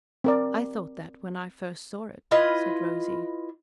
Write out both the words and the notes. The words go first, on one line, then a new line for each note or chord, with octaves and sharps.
"I thought that when I first saw it," said Rosy.
C4 A#4 D5
E4 F4 B4 D#5